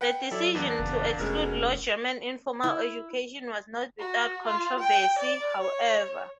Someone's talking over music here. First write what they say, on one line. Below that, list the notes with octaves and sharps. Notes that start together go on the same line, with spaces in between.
The decision to exclude Low German in formal education was not without controversy, however.
B4 F#5 G5
F#3 E4 A4 D5
E2 A#3 B3 D4
F#1
F1 B2 G#3 A3 C#4 A#4
E4
F#4
F4
G5
D5
C#5